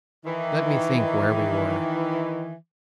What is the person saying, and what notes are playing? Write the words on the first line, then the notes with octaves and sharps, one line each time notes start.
LET me think where we were.
D#3 E3